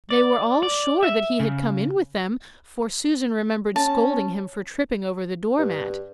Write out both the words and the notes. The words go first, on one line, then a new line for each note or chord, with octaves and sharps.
They were all sure that he had come in with them, for Susan remembered scolding him for tripping over the door-mat.
D5
D5
E5
C#3
C#4 A5
G2